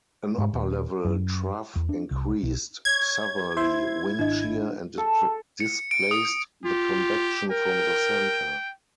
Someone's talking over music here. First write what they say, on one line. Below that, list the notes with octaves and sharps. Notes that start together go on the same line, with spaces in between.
An upper-level trough increased southerly wind shear and displaced the convection from the center.
G#2
D#1
F#2
E2
D4
C2
B1
C#5 G#6
E4 C5 E5 C6
G#1 D4 D#5
A4
C#7
D7
D#6
F4 G4
A#4 G5